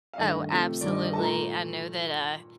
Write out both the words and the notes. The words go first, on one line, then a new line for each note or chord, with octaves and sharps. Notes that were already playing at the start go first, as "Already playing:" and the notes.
Oh, absolutely. I know that, uh,
F5
G2 D#3 A3 D#5
C3 F3 A3
G2 D#3 G3 D5
D#5
D#5
A#2 A3 A5
A#5